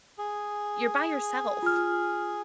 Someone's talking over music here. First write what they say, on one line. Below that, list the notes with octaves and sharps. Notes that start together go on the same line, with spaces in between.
you're by yourself.
G#4
F4 F6